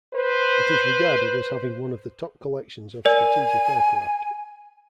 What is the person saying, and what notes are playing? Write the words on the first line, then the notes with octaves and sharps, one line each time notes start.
It is regarded as having one of the top collections of strategic aircraft.
B4 C5
A#4 D5 G#5